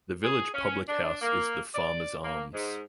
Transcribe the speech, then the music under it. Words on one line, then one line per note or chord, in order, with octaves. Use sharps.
The village public house is "The Farmer's Arms".
G#4
C#4
D4
A#3
D5
A#3
G#2